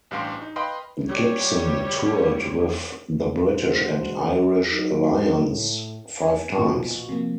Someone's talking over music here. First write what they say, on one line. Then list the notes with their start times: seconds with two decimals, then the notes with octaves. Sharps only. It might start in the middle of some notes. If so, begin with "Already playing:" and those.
Gibson toured with the British and Irish Lions five times.
0.11 A1 G2 G4 F5 G5 C6
0.42 D#4
0.56 B4 D#5 F5 G5 B5 C6
1.07 G3 C#5
3.50 E2 G2 B2 E3 G#3 C5
4.70 F#3 D#4 A#4
5.49 A2
6.22 G#5
6.55 A#1 B2 C#6
7.09 C3 F3 A#3